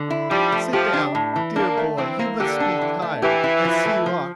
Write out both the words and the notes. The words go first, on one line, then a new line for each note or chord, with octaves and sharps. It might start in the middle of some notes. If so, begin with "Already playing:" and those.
Sit down, dear boy, you must be tired; I see you are.
Already playing: D3
E4
F3 G3
A3
F3 G4
D4
A2
E3
A#3 D4
A3
E3 C4
A#3
D3 G4
D4
E3
A3
E3 G4
E4
F3
A3
F3